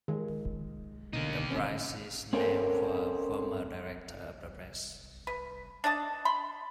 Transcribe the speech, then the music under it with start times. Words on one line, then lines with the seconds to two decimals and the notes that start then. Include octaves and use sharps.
The prize is named for a former director of the Press.
0.08 D#3 G#3
1.13 B2 D3 A#3 D#4
1.48 D#3 C4 C#4
2.33 C4 C#4 A4 A#4 C#5
5.27 B4
5.84 D4 D5 D#5 A5
6.25 B5 C6